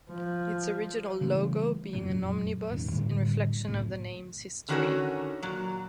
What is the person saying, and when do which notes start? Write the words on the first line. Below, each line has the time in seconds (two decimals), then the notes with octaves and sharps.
Its original logo being an omnibus in reflection of the name's history.
0.11 F3
1.21 C#3 E3 G3 A3
1.93 F1 F#2 A#2 F#3
2.70 E1 A1 D#3
2.91 A2 D3 G3
3.67 F#1 C2 A2
4.68 D3 D#3 C#4 F#4 A#4 C#5
5.43 A#2 F#3